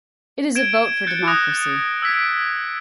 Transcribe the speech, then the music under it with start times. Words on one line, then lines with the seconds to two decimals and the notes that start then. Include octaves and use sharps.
It is a vote for democracy.
0.55 G#6 D7 E7 G7
1.07 F#6 G6 A6 C#7 D7
1.27 D#6 F#6 G6 A#6
2.02 E6 G#6 B6 D7